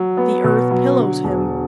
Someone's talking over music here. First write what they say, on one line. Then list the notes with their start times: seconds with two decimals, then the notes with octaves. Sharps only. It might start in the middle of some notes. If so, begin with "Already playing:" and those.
The earth pillows him.
Already playing: F#3
0.17 B3
0.44 B2
0.71 F#3
0.98 D3
1.24 E1